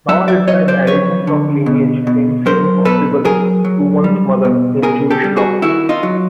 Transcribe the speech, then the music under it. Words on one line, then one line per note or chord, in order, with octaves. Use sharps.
Nor is inheritance of lineage claims even possible through one's mother, in Jewish law.
F#3 E5 F#5
D5 E5
F#3 C#5 D#5
C5 D5
F2 B4 C#5
D3
B2
B2
F#3 A#4 C5
B2 A4 B4
F#3 G#4 A#4
F#3
G3
B2
B2 G#4 A#4
G4 A4
G3
F#4 G#4
D#3 E4 F#4
D#4 F4
F#3